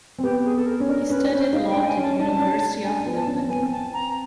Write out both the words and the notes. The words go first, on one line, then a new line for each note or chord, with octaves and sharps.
He studied law at the University of Leuven.
C4
B3 G4
G#4
A4
A#4
C#4
D4 A#4
C#4 B4
D4
C#4 C5
D#4 F5
D4 G5
G#5
C#4 A5
D#4 A5
D4
C#4
D4
D4 G#5
B3
A5
C#4
C4
B3 G#5
C4
A5
A#5